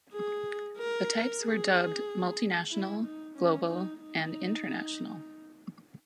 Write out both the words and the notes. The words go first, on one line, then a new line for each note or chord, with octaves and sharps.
The types were dubbed "Multinational", "Global" and "International".
G#4
A#4
G#4
E4
D#4
C#4
D#4
D#4